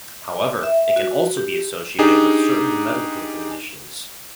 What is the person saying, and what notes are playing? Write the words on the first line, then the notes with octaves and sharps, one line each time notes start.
However, it can also be associated with certain medical conditions.
E5
F#4
G4
D4 D#4 G4 G#4